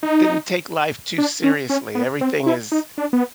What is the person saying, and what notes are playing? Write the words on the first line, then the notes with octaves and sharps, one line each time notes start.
didn't take life too seriously. Everything is
D#4
D4
C#4
C#4
B3
C4
E4
D#4
D4
B3